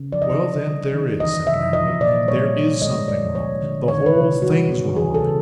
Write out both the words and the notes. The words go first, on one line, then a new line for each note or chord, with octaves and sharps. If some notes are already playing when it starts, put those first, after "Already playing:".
'Well then; there is,' said Lammle; 'there IS something wrong; the whole thing's wrong.'
Already playing: C#3
F3 D5
D#5
D5
C3
G3
D#3
E3 D#5
C3 E5
F3 D#5
A#2 D5
G3 C#5
D3
G#3 D#5
F3 D5
F3 C#5
D3
D#3 C#5
B4
C3
G3 F#4
B2
E3 G#4
A4
C#3